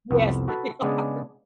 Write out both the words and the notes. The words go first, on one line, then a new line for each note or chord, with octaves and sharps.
Yes. They are.
C2 F2 B3
F#4 A4 B4
C#3 G#3 B3 D4 G#4 D5